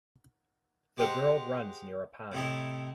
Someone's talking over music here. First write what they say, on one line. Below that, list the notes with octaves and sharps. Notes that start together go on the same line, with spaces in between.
The girl runs near a pond.
G#3 G4 C5 F#5 A#5
A2 C3 D#4 E4